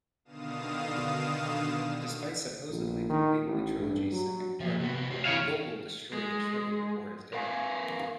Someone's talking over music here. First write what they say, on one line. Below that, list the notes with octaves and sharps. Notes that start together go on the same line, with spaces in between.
Despite supposedly completing the trilogy's second part, Gogol destroyed it shortly before his death.
B2 D3 D#3 F5 D#6 E7
A#1
D#3
A1
G2
F#3
F3 A#3
C3 B3 F#4
F4 G4 C5
C3 E3 C#5 F5
G#3
A#4 B4 F5 F#5 G#5